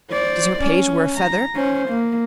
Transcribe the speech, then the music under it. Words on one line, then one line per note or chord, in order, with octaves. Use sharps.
Does her page wear a feather?
C5 D5
C#4
A#5
C#4 C5
A#3